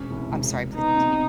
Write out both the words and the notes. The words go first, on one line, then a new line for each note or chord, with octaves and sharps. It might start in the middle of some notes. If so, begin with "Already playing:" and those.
I'm sorry, please continue.
Already playing: E1 C#4
C2
E1
E1
B3 D#4
C3